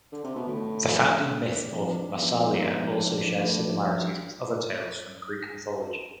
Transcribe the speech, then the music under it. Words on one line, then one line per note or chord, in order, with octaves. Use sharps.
The founding myth of Massalia also shares similarities with other tales from Greek mythology.
D3
C3
B2
A2 D3
D3
F3
D3
G#3
D4
F2 F3
D4
E2 F3
F2
B3
G#2
D4
F3
D4
F3
A2 D4
F3